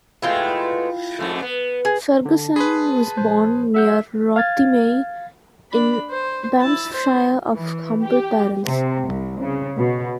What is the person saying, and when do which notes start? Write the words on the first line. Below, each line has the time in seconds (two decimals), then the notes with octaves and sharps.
Ferguson was born near Rothiemay in Banffshire of humble parents.
0.22 B2 G#3 A3 E4 F4 G5
1.19 F2 G#2 A3
1.42 B3
1.85 G#4
2.26 D3 A5
2.56 G#4 B4 B5 C6
3.17 A#1 C5
3.74 F#3 A4 E5 F#5 G6
4.36 F5 F6 G#6 A6
5.72 D4 B5
6.10 C5
6.60 E4 A5
6.93 C5
7.53 E3
8.03 G4
8.63 C3
9.06 C2
9.40 C#3
9.77 B2